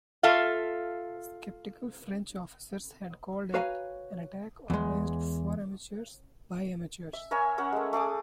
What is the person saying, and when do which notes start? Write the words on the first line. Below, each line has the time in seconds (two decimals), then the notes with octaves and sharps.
Sceptical French officers had called it "an attack organized for amateurs by amateurs".
0.23 F4 A4 E5 F5
3.54 F#4 B4 C#5 F5 G#5 A#5
4.70 E2 G#3
7.13 E5
7.31 A#4 C#5 E5 G#5
7.58 C#4 A#4 F#5
7.72 G#3 A3
7.93 A3 G#4 D6 D#6